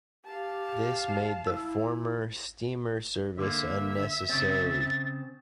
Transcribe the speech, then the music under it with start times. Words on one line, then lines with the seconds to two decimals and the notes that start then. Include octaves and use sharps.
This made the former steamer service unnecessary.
0.25 G4 F5 A5
1.47 E4 E6
3.38 D3 A#3 E5
4.29 C#3 C4 A6